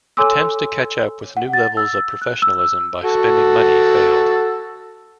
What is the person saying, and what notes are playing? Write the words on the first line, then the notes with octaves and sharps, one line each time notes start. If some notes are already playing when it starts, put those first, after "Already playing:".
Attempts to catch up with new levels of professionalism by spending money failed.
A4 C#5 G#5 C6 D6 E6
F#5
A6
E6
F#6
E6
F#4 A4